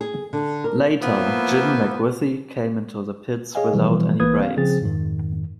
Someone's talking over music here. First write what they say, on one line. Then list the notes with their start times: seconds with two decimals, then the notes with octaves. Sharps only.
Later, Jim McWithey came into the pits without any brakes.
0.01 G#4
0.33 D3
0.64 A#4
1.00 F3 A#3 B3 E4
3.55 G#4 C#5 D#5 F5 G#5
3.73 B2 E3 F3 G3
4.20 B1 E3 A#3 B4 D#6 G#6
4.39 C4 F5
4.57 C#3 F3 C4 G#4 A6
4.82 F2 G#2 D#3